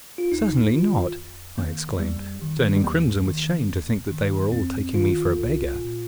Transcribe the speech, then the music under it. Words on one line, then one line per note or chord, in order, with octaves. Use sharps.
"Certainly not!" I exclaimed, turning crimson with shame to think that they were all taking me for a beggar.
F4
D#2 D#4
D#3 F4
F2
D#3 A#3
F2 G3
D#3
G3
D#2 A#3
D#3
D#2
D#3
F2 C4
D#3 F4
C2
A#2